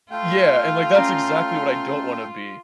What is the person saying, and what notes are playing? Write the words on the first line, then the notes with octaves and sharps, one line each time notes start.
Yeah, and, like, that's exactly what I don't wanna be,
A3 F4 F5 G5
C#4 A#5